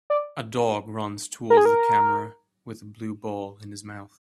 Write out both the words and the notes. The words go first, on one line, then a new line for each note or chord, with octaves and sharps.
A dog runs towards the camera with a blue ball in his mouth.
D5
A#4
G#4
A#4